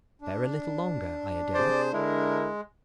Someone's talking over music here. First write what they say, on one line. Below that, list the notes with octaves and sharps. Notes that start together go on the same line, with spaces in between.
Bear a little longer, Iadilla.
D4
C3 G#4 C5 D5
D3 G#3 E4 A#4